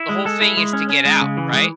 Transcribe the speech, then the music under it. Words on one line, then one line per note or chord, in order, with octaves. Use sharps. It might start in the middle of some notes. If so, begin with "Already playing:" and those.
the whole thing is to get out, right?
Already playing: E4
G#3
G#3 A4
E4
G#3
C#4
C#4
G#3
C#3
E3
G#3